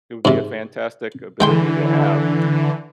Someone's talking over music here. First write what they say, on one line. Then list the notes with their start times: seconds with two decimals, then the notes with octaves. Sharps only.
It would be a fantastic ability to have.
0.25 G#2 C3
1.40 D3 E3 G#3 G5 C6